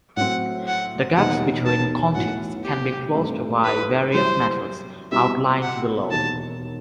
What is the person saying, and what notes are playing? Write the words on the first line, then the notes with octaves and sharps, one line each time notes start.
The gaps between contigs can be closed by various methods outlined below.
A2 F#3 C4 F#5
F#5
E1 D#2 D#3 G3 D#4 F#5
A5
B1 A2 E3 F#5
G4
G2 D#3 A3 C4
B4
F#2 E3 G3 C5
B2 G3 C4 E4 E5
F#5
E1 D#2 D#3 A5